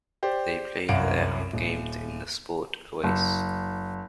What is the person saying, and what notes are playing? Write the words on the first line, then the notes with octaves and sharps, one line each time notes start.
They play their home games in the SportOase.
G4 C5 D5
C2 F#2 F5 F#5 D7
D#1
F#1